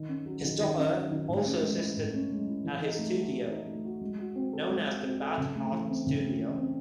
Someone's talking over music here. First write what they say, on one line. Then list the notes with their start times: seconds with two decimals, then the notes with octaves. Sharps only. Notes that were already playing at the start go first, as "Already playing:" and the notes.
His daughter also assisted at his studio, known as the Bath Art Studio.
Already playing: D#3 D#4
0.09 C#4
0.26 F#3
0.43 D#3
0.60 D#3
0.77 C#4
0.94 F#3
1.11 D#3
1.28 A2
1.45 C#4
1.62 G#3
1.79 E4
1.97 A2
2.14 C#4
2.31 G#3
2.48 E4
2.64 E3
2.82 D#4
2.99 A3
3.16 F#4
3.34 E3
3.50 D#4
3.67 A3
3.85 F#4
4.01 G#3
4.19 F#4
4.36 C4
4.53 A4
4.70 G#3
4.87 F#4
5.03 C4
5.21 A4
5.38 C#3
5.56 A3
5.72 E3
5.89 C4
6.07 C#3
6.24 A3
6.40 E3
6.58 C4